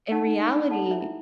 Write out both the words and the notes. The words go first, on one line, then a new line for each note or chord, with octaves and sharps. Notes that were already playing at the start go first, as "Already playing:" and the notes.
in reality,
D#4 F#5 A5
D#4
D#4
G#5 B5
D#4
A4 F#5 A5
E4
E5 G#5
E4